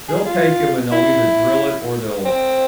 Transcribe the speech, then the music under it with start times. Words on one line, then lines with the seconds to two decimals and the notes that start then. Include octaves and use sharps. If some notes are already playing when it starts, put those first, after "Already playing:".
they'll take 'em and they'll either grill it or they'll
0.08 G#4
0.26 F4
0.92 E4
2.25 C4